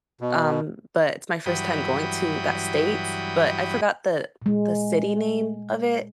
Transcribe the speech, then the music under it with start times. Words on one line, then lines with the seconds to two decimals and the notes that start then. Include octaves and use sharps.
um, but it's my first time going to that state, but I forgot the the city name of it.
0.21 B2
1.46 G2 E3 F#3 G5 B5 D#6
4.42 A#2 G#3